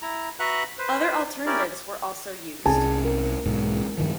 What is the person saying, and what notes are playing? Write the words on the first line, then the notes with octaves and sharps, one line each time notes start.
Other alternatives were also used.
E4 A#5
F#4 B4 E5 F#5 A#5 F#6
B4 C5
C#4 E4 G4 A#4 D5
C2 C4 C#4 G#4 G#5 A5
A#4
B1 G#2
G2 D#3 F3